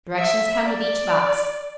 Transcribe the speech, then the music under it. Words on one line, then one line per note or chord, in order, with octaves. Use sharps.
Directions come with each box.
E5
D5